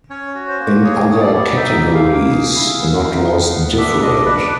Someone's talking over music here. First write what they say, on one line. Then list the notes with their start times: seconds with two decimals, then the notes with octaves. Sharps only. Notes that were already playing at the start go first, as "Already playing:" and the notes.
In other categories not was different.
0.10 C#4 C#5
0.35 F#4
0.48 C5
0.60 A#3
0.83 G#4 C#5
1.08 G#4
1.16 C#5
1.21 D5
1.33 B3
1.57 D#4 E5
1.81 A#3
1.94 F5
2.06 A#3
2.30 G#4
2.56 E4
2.79 B3
3.04 D#4
3.28 B3
3.52 B3
3.77 D4 E5
4.02 D4 D#5
4.26 D4 B4